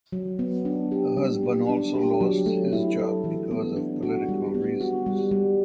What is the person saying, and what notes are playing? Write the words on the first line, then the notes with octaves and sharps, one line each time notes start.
Her husband also lost his job because of political reasons.
F#3
B3
D4
G4
G3
B3
D4
G4
F#3
A3
E4
A4
E3
B3
D4
F#4
G3
B3
F#4
G3
G3